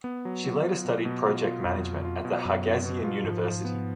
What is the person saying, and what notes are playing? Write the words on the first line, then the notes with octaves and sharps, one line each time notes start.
She later studied project management at the Haigazian University.
B3
F#3
F#3
F4
B2
B2
F4
F4
F2 F#3
F4
F4
B2
F#2 F#3
B3
B2
F4
G#2 F3
F3
B3